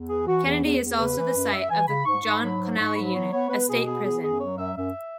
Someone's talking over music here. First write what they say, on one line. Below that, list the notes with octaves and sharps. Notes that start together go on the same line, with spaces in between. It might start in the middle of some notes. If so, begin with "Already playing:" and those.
Kenedy is also the site of the John Connally Unit, a state prison.
Already playing: E2
E3 G#4
E3 F#4
E2
E2
E2
C#3 B4
E3
F#2
F#2 E5
E3 G#5
C#3 B5
G#2 C#6
G#2
B5
F#3
G#2
G#2 C#6
F#3 B5
B3 C#5
B3 C#5
B3 B4
B2 G#4
B3 G#4
B3 G#4
F#2 G#4
F#3 C#5
F#2 E5
F#2 E5